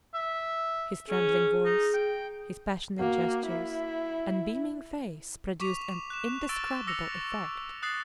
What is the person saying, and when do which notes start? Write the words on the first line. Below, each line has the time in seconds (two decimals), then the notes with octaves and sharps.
His trembling voice, his passionate gestures and beaming face, produced an indescribable effect.
0.14 E5
1.10 C#4 G#4
1.65 D#4
1.94 G5
2.99 A#3 F#4
3.47 E4
5.60 C#6 D6 B6 D#7 F7
6.10 F#6 E7
6.49 C#6 E6 A6 D7
6.87 D6 E6 A#6 C#7 F7
7.82 D#6 F#6 A6 C7